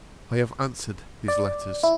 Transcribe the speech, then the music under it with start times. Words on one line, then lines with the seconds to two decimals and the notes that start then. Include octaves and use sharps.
I have answered his letters.
1.28 D5
1.83 E4